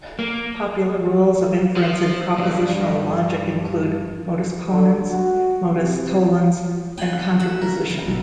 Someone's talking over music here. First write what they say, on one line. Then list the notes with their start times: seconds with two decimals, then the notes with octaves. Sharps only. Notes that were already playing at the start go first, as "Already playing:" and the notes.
Popular rules of inference in propositional logic include "modus ponens", "modus tollens", and contraposition.
0.19 A#3
1.76 F3
2.37 D2 G2
4.70 D3
5.10 F#4
5.74 C3
6.98 B3 E4 C#5 G5 G#5 B5
7.13 D3 G3 D4
7.40 F#4 E5
7.62 C#3 A3 A#4
7.90 C#3 C#4
8.08 B1 E4 F#4 E5